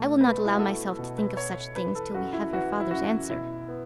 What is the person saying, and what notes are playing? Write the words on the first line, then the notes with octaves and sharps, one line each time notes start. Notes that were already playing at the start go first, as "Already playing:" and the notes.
I will not allow myself to think of such things, till we have your father's answer.
Already playing: B2 A3
B3 B4
E4
F#4
B3 A4
B2
B4
B3 C#5
E3 B4
A4
F#2 F#4
E4
E3 F#4
E4
F#2 F#4
B2 E4
B3